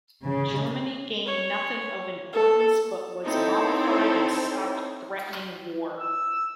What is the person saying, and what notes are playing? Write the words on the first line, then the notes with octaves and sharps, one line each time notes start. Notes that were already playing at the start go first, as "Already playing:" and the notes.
Germany gained nothing of importance but was mollified and stopped threatening war.
C#3
C#5
A4
C4 D#4 E4 A4 C5 C#5
E6